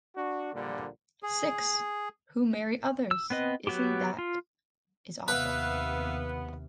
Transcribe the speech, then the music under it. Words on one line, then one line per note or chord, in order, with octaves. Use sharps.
Six! Who marry others! Isn’t that is awful!...
D4 F#4
A#1 A#2 D3 G3
G#4
E6
B3 C4 B4 D#5
F#3 B3 F#4 G4
F4
D#2 C3 B3 B4 E5 F5